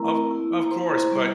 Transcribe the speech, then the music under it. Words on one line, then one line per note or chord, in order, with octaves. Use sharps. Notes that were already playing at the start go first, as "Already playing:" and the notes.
Of of course but
Already playing: A3 C4 E4 A#4 A#5
A#3 E4
A#5
C5 C6
G3 A#3 E4